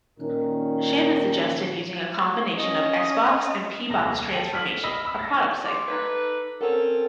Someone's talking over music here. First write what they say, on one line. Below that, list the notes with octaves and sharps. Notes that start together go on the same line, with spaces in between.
Shannon suggested using a combination of S-box and P-box transformation-a product cipher.
A#2 D#3 C#4 A#4
C#4 D#5
D#1 C2 A#6
A4 G5 D#7 F#7
F6 B6 F#7
D#5 B5 D#6 E6
B5 E6
A6 A#6
C6 D6
D#4 A4 B4 D6
C4 C#4 A4 A#4 F#5